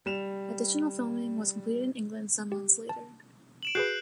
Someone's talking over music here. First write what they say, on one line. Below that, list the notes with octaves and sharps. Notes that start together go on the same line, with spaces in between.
Additional filming was completed in England some months later.
G3 E7 F7
G4
A5
D7 E7 F#7
F#4 G#4 B4 F#6 G6 C7